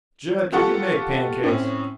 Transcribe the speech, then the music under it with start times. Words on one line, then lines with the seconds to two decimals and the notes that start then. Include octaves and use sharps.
"Jud, can you make pancakes?"
0.52 F4 G4 A4 F#5 C#6
1.44 A2 C4 C#4